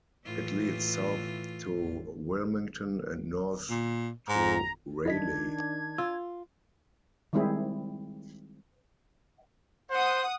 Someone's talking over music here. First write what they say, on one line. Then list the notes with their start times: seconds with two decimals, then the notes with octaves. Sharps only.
It leads south to Wilmington and north to Raleigh.
0.25 A2 E3 F4
3.70 A#2
4.29 G#2 A#5
5.06 D#3 D4 E4 D#5 G#6 B6
5.98 F4 E6
7.33 D#3 G3 G#3 C4 E4 G#4
9.91 C5 F#5 D#6